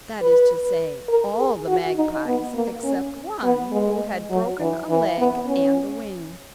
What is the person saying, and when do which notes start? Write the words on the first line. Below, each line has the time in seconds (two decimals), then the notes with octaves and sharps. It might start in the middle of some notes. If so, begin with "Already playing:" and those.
That is to say, all the magpies except one who had broken a leg and a wing.
0.22 B4
1.09 A#4
1.39 G#4
1.67 F#4
1.96 D#4
2.27 B3
2.55 A#3
2.84 C#4
3.43 B3
3.72 G#3
4.30 F#3
4.61 E3
4.90 E3
5.18 B3
5.47 C#4